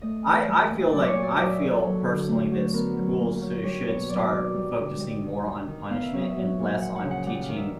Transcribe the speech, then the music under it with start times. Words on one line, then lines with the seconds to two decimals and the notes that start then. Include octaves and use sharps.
I I feel, like I feel, personally, that schools sou should start focusing more on punishment and less on teaching
0.02 A3 D#5
0.25 E3
0.48 G3
0.71 A#2
0.93 F#3 D5
1.08 C#5
1.15 A#2
1.23 D5
1.37 F#3 D#5
1.50 E5
1.61 D#3 A#4
1.72 A4
1.84 F#3
2.06 D3
2.28 A3
2.51 F#3
2.74 B3 A#4
2.97 F#3
3.19 A#3
3.41 F#3
3.64 G3 C#5
3.87 B2 C#5
4.09 F#3 D5
4.32 D#3
4.54 G3
4.77 D3
5.00 G3 D#5
5.22 D#3
5.46 G3
5.68 D#3
5.90 B3 F5
6.03 E5
6.13 F#3 D#5
6.29 E5
6.37 F#3
6.59 A#2
6.81 F3 F#5
6.96 F#5
7.04 C#3
7.11 F#5
7.26 G3 F#5
7.42 F5
7.49 D#3
7.56 E5